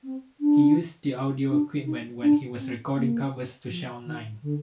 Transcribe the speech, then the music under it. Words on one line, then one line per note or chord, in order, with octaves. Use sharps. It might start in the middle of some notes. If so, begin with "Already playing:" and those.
He used the audio equipment when he was recording covers to share online.
C4
D4
D4
D#4
D4
C4
A#3
F3
D#3
D3